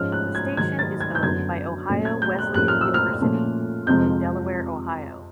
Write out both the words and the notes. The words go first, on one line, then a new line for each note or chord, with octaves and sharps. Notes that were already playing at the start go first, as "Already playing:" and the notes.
The station is owned by Ohio Wesleyan University in Delaware, Ohio.
Already playing: G#2 F3 G#3 C#4 F6
F#6
G#6
G#2 D#3 F#3 G#6
A6
G#6
G6
F#2 D3 F#3 B3 G#6
A#2 F#3 A3 C#4
G#6
G6
F#6
A2 F3 A#3 C#4 F#6
F6
E6
F6
A#2 F3 A3 C#4
F2 C3 F3 G#3 G6